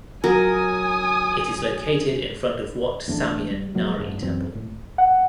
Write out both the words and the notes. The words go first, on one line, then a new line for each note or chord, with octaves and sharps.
It is located in front of Wat Samian Nari temple.
F#3 A#4 G#5 D#6
A1 E2 A3 D4
G3
B2 F3 F#3 A#3
D#1 A1 G2 C3
F#2 E3 C4
A2
F#5